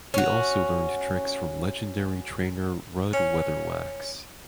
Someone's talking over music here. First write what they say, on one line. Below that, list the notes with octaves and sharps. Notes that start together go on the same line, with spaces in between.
He also learned tricks from legendary trainer Rudd Weatherwax.
C#4 F#4
C#4